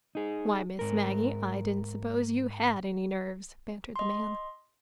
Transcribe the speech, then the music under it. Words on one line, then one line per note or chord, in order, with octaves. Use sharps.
"Why, Miss Maggie, I didn't suppose you HAD any nerves," bantered the man.
D#4 G#4
G#2 A#4
D#5 C6